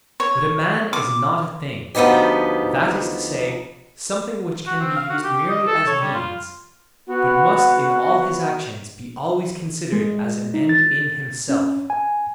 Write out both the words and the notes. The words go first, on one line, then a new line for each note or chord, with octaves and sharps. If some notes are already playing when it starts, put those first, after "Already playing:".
But a man is not a thing, that is to say, something which can be used merely as means, but must in all his actions be always considered as an end in himself.
C#5
D6
D2 F3 B3 D#4 G4
F#4
C4
F5
F#4
G4
D#5
A4
C#5
G3
F4
B3 F#4
G#3
D#4
A6
C#4
G#5